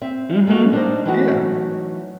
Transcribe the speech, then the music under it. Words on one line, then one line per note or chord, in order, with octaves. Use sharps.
Mhm, yeah.
C4 E5
G#3 A#3 B3 F#4
G3 D4 D#4 G#4 C5 D#5
E3 F#3 A3 D#4 E4 F#4